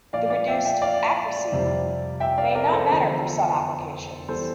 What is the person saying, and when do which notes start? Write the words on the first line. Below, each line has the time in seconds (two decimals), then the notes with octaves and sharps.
The reduced "accuracy" may not matter for some applications.
0.13 A#2 F3 D5 F5
0.30 D5 F5
0.48 E5 G5
0.65 E5 G5
0.82 D5 F5
1.52 F2 C3 G3
2.20 E5 G5
2.38 D5 F5
2.55 A#4 D5
2.72 A4 C5
2.91 E2 D3 F3
4.28 E2 E3 G3 A4 C5